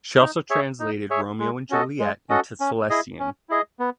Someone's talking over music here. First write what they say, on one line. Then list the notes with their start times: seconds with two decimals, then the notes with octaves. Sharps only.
She also translated "Romeo and Juliet" into Silesian.
0.20 D#4
0.50 G#4 C#5 E5
0.80 D#4
1.10 G#4 C#5 E5
1.40 G#3
1.70 C#4 F#4 A4 D#5
2.00 G#3
2.30 C#4 F#4 A4 D#5
2.60 C#4
2.90 E4 G#4 D#5
3.19 C#4
3.49 E4 G#4 D#5
3.79 B3